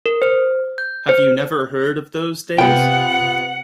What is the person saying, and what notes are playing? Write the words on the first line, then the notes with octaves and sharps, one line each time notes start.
Have you never heard of those days?
A#4
C5
G6
C5
C3 B3 F4 F#5 G5